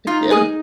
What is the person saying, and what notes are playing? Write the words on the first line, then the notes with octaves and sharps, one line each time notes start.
I can't
D#4 F4
G#4 D#5